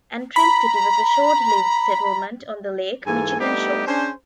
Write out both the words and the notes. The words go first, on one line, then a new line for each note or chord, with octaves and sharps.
Antrim City was a short-lived settlement on the Lake Michigan shores.
A#5 B5
G#2 E3 A#3 A4 G#5
G3 A3 B3 D4 D#4 G4
C#4 D4 G#4 C5